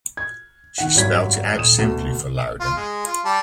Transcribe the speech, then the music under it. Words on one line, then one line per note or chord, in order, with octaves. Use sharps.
She spelt it out simply for Louden.
G#6
D#3 F#5
G#1 F#2 F#3 G3 G#6 B6
D#1 D#6 E7
D2 B2
F4
G#3
F4
G3 A5